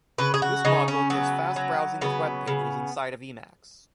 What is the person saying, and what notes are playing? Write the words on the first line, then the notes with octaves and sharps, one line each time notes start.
This module gives fast browsing of web pages inside of Emacs.
C#3 B4
G#4
F#4
C#3 D#4
C#4
F#3 B3
F#3
C#3 B3
C#3